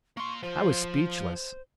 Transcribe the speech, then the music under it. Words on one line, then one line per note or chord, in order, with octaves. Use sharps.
I was speechless.
A#3 C6 C#6
F3 F4 C5